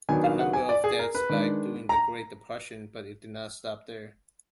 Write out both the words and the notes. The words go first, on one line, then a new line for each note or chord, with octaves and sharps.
The number of deaths spiked during the Great Depression but didn't stop there.
D#3 F#3 B3 D4 G#5
F5
F#5
G#5
D5
G#4
A#4
B4
D#3 G#3 D4
A#5